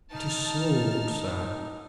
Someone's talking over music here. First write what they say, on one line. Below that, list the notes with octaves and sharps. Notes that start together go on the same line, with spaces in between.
"It is sold, sir."
D#4 A5 F6